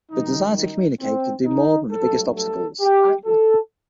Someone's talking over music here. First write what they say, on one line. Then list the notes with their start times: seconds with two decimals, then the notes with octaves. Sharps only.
The desire to communicate can do more than the biggest obstacles.
0.11 F#2 D#3 G3 D#4
0.57 D#4
1.01 C4
1.46 D#4
1.91 G2 F#3 A3 A4
2.36 A4
2.81 G4
3.26 A4